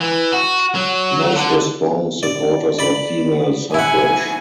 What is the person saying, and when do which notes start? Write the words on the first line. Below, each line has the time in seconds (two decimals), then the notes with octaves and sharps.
Most were strong supporters of female suffrage.
0.01 E3
0.32 F#4
0.75 F#3
1.35 D3
2.23 D5
2.79 D5 B5
3.74 E4 F#5 G#5